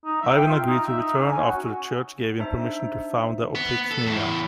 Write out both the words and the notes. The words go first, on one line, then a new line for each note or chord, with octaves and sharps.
Ivan agreed to return after the church gave him permission to found the Oprichnina.
D#4
E5
G5
F4
D#4
E5
D#4
C#4
G#5
F#4
D4 D#4 C5 E5
B3
A4
E2 A2